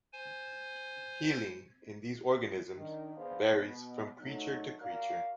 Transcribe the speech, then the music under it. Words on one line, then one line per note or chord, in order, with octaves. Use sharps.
Healing in these organisms varies from creature to creature.
C5 G#5
D#3 D4
B3 D4 G#4 B4 C5 F5
B2 B3
D3 F#3 A3 D#4
F#4 A#4 D5 F5